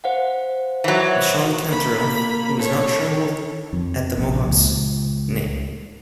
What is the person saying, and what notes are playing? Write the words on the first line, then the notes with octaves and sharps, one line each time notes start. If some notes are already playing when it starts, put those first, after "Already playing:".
Meshon Cantrill, Who has not trembled at the Mohocks' name?
C5 F5 F#5
E3 F#3
A#3 B5
A4 C#5
F2
A#1
C#2